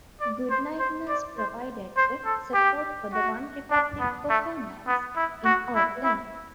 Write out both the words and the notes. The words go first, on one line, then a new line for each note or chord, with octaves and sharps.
Goodnight Nurse provided the support for the OneRepublic performance in Auckland.
D5
C5
C5
D5
C5
C5
A4
G4
F#4
D4
B3
A3
B3
E4
F#4
E4
E4